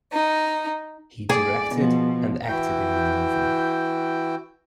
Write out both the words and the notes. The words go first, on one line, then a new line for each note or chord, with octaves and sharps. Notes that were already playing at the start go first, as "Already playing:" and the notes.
He directed and acted in the movie.
D#4
G#4 D5
B2 F3
E3 E4 F#4 G5 G6